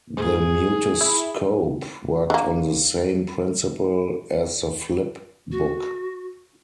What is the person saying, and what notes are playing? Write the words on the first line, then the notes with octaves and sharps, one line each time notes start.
The Mutoscope worked on the same principle as the flip book.
G#2 G#4
E4
D3 A#3
F#4